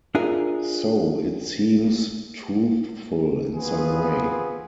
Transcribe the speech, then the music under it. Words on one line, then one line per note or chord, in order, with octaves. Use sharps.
So it seems truthful in some way.
D4 F4 G#4 A#4 E5
B3 C4 F4 F#4 G#4 B4